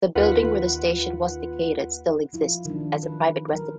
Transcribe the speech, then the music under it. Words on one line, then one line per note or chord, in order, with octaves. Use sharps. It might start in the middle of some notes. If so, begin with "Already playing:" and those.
The building where the station was located still exists as a private residence.
D#2 F4 B4 F#5
F3 E4 F4
D#3 F#3 D4
F4
B4
F#3 A#4